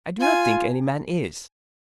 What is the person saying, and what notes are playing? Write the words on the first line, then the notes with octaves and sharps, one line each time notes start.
I do not think any man is.
F4 G#5